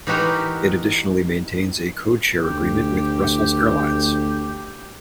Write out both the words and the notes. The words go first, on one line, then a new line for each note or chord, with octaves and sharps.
It additionally maintains a codeshare agreement with Brussels Airlines.
E3 D#4 F#4 G4 A#4
D2 G4